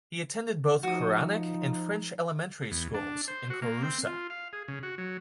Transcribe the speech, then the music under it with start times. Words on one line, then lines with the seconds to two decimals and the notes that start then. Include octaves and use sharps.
He attended both Koranic and French elementary schools in Kouroussa.
0.83 F3 D#4 F#4 D#6
2.71 E2
2.94 D4
3.28 C5
3.50 F#4
3.62 A#3
3.83 C4
4.06 F4
4.30 F5
4.53 G#4
4.68 C#3
4.83 F#4
4.98 F#3